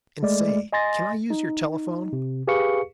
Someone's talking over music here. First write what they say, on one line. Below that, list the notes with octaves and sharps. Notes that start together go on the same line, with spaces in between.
'And say, can I use your telephone?'
G#3 A3 D5
D#5 G#5 C6 A6 A#6
D#4
C3
G4 G#4 B4 F5 C#6 C#7